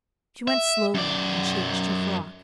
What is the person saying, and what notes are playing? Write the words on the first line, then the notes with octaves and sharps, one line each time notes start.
She went slowly and changed her frock.
E5
F#2 D5